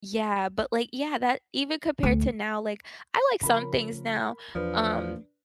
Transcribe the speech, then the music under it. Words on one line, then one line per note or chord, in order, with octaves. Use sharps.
Yeah, but, like yeah that even compared to now, like, I like some things now, um,
D2
C#3 F3 C#4 A#4 B5
E2 F3 D4 B4